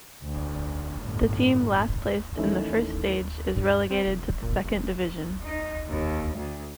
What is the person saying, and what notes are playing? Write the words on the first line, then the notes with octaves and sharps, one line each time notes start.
The team last placed in the first stage is relegated to the second division.
D2
G1 A2
D#3 E3 A3 C#4 D#4 E4
G2
C4
F1
A#2
F1
D#4
D#2
D2